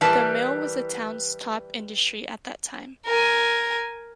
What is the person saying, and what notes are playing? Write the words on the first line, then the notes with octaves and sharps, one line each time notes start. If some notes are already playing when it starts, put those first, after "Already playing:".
The mill was the town's top industry at that time.
E3 G3 D4 A#4 B4 A5
A#4 G#5